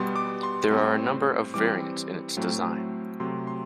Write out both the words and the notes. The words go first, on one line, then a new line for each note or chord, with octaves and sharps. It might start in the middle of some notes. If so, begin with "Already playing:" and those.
There are a number of variants in its design.
Already playing: B2 G3 B3 C6
D6
C6
A2 G3 C4
E3 G3 C4 D6
A2 F#3 A3 C4
C3 F#3 A3 C6
C6